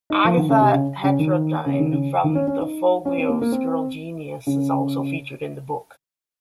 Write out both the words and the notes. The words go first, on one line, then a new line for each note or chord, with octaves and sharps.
Agatha Heterodyne, from the Foglios' "Girl Genius", is also featured in the book.
D#4
F3
D#3
C#3
C3
C#3
C#3
D#3
C#3
D#3
C#3
D#3
C#4
C#4
D#4
C#4
C4
A#3
A#3
C4
C#3